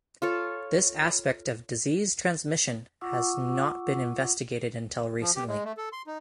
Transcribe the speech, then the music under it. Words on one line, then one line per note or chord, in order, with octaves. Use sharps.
This aspect of disease transmission has not been investigated until recently.
F4 A4 C#5
F4 F#5 C#6 D6 E6
F3
G4
G#3
A3
A4
C6
D#4